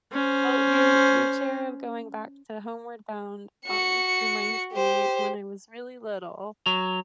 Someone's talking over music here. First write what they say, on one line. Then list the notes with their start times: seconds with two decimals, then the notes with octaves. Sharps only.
Well, your your share of going back to Homeward Bound, um, reminds me when I was really little,
0.12 C#4 C5
3.66 F#4 C#7
4.72 G4 C5
6.66 F#3